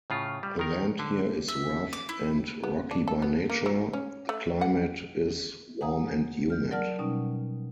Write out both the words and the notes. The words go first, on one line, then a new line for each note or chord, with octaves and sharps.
The land here is rough and rocky by nature.The climate is warm and humid.
A2 C#3 F4
G3
D#3 A#4
D3
E5
D6
E4
B3
D4
A4
B3
A#3
F#3
C#4
A3
F#5
F#5 G#5 A#5 D#6
F6 G6
F#3 A#4 D5 F#5 A5 F6
B2 G3 C#4 D#4